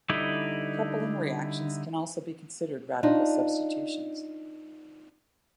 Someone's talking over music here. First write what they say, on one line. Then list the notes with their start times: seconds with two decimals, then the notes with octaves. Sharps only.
Coupling reactions can also be considered radical substitutions.
0.09 D3 G3 D#4 E4
3.03 D4 D#4 F4